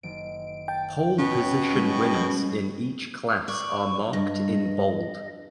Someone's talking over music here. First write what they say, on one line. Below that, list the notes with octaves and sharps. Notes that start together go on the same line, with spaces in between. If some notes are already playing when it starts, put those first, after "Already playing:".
Pole position winners in each class are marked in bold.
F#1 D#3 D7
G5 A5
B2 C#4
G3 G#3 G4
D5 C#6
G2 D#5